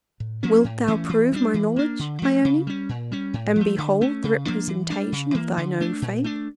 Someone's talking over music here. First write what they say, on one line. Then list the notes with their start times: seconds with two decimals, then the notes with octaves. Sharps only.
'Wilt thou prove my knowledge, Ione, and behold the representation of thine own fate?
0.20 A2
0.43 F3 A#3 C#4
0.64 A2
0.87 E3 A3 C#4
1.09 E3
1.33 G3 A#3 D4
1.54 E3
1.76 A#3 D4
1.99 D3
2.22 F3 A3 C#4
2.45 C#3
2.67 G3 C#4
2.89 A#2
3.12 G3 C#4
3.34 A2
3.56 F3
3.61 A3
3.78 D3
4.01 A3 C#4
4.24 C#3
4.46 F3 A#3 D4
4.67 E3
4.90 G3 D4
5.12 C#3
5.34 E3 A#3
5.57 D3
5.80 A3 D4
6.02 A#2
6.24 A3 D4